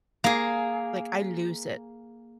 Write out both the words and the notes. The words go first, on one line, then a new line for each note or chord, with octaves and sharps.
Like, I lose it.
A#3 G#4